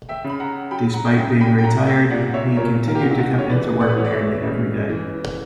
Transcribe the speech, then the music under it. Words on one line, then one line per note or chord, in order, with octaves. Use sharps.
Despite being retired, he continued to come into work nearly every day.
E5 G5
C#3
B5
F#5 A#5
F#3 G5 B5
F#5 A#5
C#3 E5 G5
G5 B5
G5
F#3 F#5 A#5
E5 G5
A#2 D5 F#5
C#5 E5
A#2 A#4 C#5
A#4
G4
A#2 F#4
E4 G4
F#4
C#5
E3 B4 D5
D5 F#5
B4
E3 C#5
D5
C#5 E5
C#3
E3